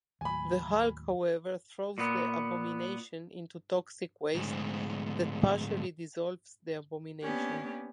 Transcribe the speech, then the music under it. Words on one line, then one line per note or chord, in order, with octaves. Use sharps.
The Hulk, however, throws the Abomination into toxic waste that partially dissolves the Abomination.
D#2 A2 F#3 G#5 B5
A#2 B3
D2 G#2
A#3 B3 C#4 D4 G4